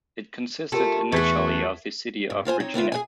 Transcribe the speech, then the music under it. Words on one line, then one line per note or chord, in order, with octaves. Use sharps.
It consisted initially of the city of Regina.
A3 F4 G4 A#4
E2 A3 F#4 G#6 B6
G2
B2 F4 C5 G#5
C4 D#4 C#5
D2 B3 E4 F4
G#4 A#4 G#5